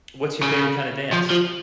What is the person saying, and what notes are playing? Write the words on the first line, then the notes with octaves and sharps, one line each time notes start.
what's your favorite kind of dance?
C#3
F3
F3